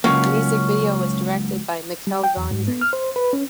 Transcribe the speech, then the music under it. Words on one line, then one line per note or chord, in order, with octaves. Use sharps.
The music video was directed by Michel Gondry.
C#2 F#3 A#3 C#4
G3
G5
E2
G#2
B3
F6
C5
B4
C#4